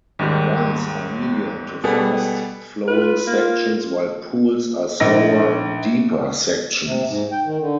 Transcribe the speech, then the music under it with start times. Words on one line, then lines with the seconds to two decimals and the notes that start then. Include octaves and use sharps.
Runs are medium- to fast-flowing sections while pools are slower, deeper sections.
0.19 D#2 G#2 D#3 G3
1.84 B2 G3 B3 G#4 A4
2.87 F4 B4
3.27 A#3 F4
5.00 A#1 D#4 A#6
6.85 C3
7.07 G#2
7.32 G5
7.45 D#3
7.60 D3